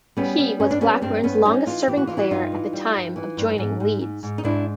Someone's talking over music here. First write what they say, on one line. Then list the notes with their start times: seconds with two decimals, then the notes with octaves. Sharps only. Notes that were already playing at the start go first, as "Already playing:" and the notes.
He was Blackburn's longest serving player at the time of joining Leeds.
0.17 G3 B3 C#4
0.39 G3
0.60 G2 C#4
0.71 D4
0.81 G3 B3 C#4
1.02 G2 C4 D4
1.23 G2 B3 C#4
1.45 G3 C#4 D#4
1.66 E3 D#4 F4
1.88 E3 G4
1.97 F#4
2.07 E3 F4
2.17 E4 F#4
2.31 G2 D#4 F4
2.52 E3
2.73 G3
2.95 G2
3.16 E3
3.37 G2
3.58 G#2
3.80 G#2
4.01 G#2
4.23 G#2
4.38 D#4
4.44 G#2 D4 E4